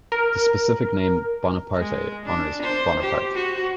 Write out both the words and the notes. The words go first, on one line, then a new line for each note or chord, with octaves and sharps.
The specific name "bonapartei" honours Bonaparte.
A#4
G#3
D4
C5
G4
F#4